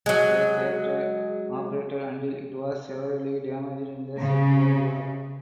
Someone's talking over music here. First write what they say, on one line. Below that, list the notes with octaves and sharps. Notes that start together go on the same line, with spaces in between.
The theatre operated until it was severely damaged in the Second World War.
F#3 G#3
C#3